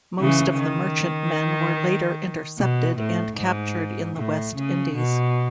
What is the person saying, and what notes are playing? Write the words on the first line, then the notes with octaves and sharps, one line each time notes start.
Most of the merchantmen were later intercepted and captured in the West Indies.
C#3 E3
D#3
B2
A2
G#2
A2
C#3
B2